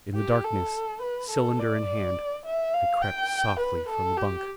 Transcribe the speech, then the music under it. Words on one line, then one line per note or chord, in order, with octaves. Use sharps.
In the darkness, cylinder in hand, I crept softly from the bunk.
G4
A4
B4
A4
D5
E5
F5
G5
B4
A4
G4